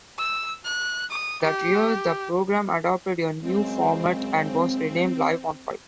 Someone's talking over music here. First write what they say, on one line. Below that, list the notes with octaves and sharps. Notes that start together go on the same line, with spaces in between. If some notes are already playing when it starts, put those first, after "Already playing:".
That year, the program adopted a new format, and was renamed "Live on Five".
E6
F#6
D#6
G4
F#2 C#3 G#3 C4